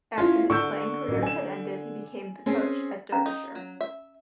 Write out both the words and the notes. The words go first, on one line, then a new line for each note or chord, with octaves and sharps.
After his playing career had ended, he became the coach at Derbyshire.
C#4 E4 F4 C#5 F5 C6
D3 F#4 C#6 E6 G6
A1 F#3
G#5 E7
C4 C#4 G#4
C#4 F5 A#5
D#4
F#3
E5